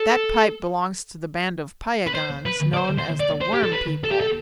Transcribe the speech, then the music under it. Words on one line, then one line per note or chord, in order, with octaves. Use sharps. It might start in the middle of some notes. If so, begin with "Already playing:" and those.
That pipe belongs to the band of Piegans known as the Worm People.
Already playing: A4
B4
C5
B4
D5
C5
C5
D5
C5
G4
A4
B4
A4
G4
A4